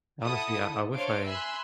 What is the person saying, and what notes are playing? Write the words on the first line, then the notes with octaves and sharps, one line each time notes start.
Honestly, I I wish I
E4 A4 F#5 A5 D#6
D4 C5 C#5 F5 C6 D7
E5 G#5 B5 C6 E6 F#6